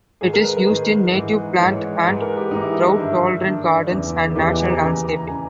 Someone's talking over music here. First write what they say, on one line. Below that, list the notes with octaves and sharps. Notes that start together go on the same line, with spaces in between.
It is used in native plant and drought tolerant gardens and natural landscaping.
G#2 D#3 G#4
A#4
B4
A#4
G#2 D#3 G#4
G#2 E3
G#2 E3 C#5
G#2 E3 B4
A#4
G4
G#2 E3 D#4
E4
D#4
E4
G2 D#3 E4
G2 D#3
E2 C#3 E3
G#4
E2 C#3 E3 G4
D#5
G#5
A#5
D#2 C#3 E3 G#5
A#5
A#5
A#5
C#3 E3 G#5